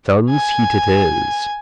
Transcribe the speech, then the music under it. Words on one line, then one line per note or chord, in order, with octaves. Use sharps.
Sun's heat it is.
G#5